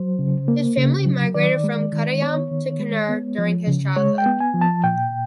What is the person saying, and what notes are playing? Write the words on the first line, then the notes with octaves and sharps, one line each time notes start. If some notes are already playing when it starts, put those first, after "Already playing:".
His family migrated from Kottayam to Kannur during his childhood.
Already playing: F#3 C5
C#3
A#3
C#3
F#3
D#3 D5
G#3
D#3
B3 C#5
D#3
G#3
B3
F3
C#3
G#3 C#5
G5
B3
G#5
F3
A5
A#2 G5